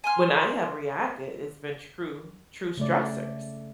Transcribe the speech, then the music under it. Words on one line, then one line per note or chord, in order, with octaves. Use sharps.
When I have reacted, it's been true true stressors
G#5 C6 F6
C#3 A3 D5